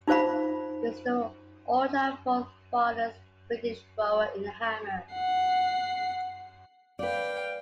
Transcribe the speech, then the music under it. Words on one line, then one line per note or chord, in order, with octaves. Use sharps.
He is the all-time fourth farthest British thrower in the hammer.
D#4 F4 C5 F5 B5
F#5 C7
B4 D5 F5 G5